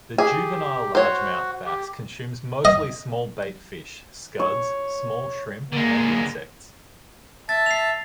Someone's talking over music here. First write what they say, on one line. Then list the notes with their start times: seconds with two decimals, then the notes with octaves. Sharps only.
The juvenile largemouth bass consumes mostly small bait fish, scuds, small shrimp, and insects.
0.18 G4 G#4
0.95 F#4 C5 C#5
1.66 G4
2.65 D#5
4.40 C#5
5.73 D3 G#3 A#3
7.49 E5 A5 A6
7.66 C7 F7